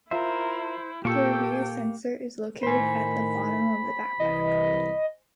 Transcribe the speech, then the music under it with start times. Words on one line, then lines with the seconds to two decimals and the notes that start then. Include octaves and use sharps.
The rear sensor is located at the bottom of the backpack.
0.11 E4 F4 A#4 C5 E5
1.05 A#2 A#3 G4 A4 G5 C#6 E6
2.63 A2 D#3 C5 G#5 B5
4.20 C2 E3 D#5